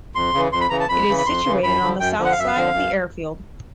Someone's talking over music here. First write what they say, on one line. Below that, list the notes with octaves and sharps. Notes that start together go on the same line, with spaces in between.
It is situated on the south side of the airfield.
F2 C6
C#3 E3
F2 C6
B5
C#3 E3 A#5
A5
F2 B5
C#3 E3
B5
F2 C6
C#3 E3
F#2 B5
D3 F3
F#2 G5
D3 F3
F#5
F5
F#2 E5
F5
D3 F3
F#2